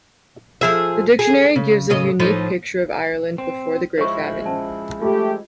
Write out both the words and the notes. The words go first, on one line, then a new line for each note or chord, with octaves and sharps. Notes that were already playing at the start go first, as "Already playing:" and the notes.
The dictionary gives a unique picture of Ireland before the Great Famine.
F3 G#4 E5
G#4
C#3
A2 C#3 D#5
A2 F3 D#4
C4
F3 G#3 E4 C5 C#5 C#6
C#4 C5 A5
A3 F4 G4